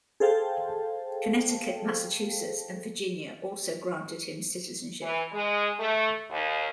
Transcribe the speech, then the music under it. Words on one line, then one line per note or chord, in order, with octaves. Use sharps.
Connecticut, Massachusetts, and Virginia also granted him citizenship.
G#4 A4 C5 F5 G5 A5
E3
G#3
A3
D#2